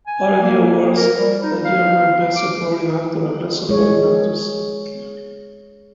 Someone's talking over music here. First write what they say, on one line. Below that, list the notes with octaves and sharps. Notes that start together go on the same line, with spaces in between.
Other new awards that year were Best Supporting Actor and Best Supporting Actress.
G#5
A#3
A#3
A#4
G3
D#4
F5
D6
G#3 C#5